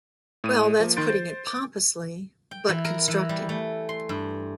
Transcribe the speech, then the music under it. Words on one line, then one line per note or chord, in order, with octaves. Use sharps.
Well, that's putting it pompously - but constructing.
A2 D#7
F3 A#3
D#3 D#4 C6 G6 A6 D7
C5
D6
G5
E3
A#4
E3
G3
A3
C6
G2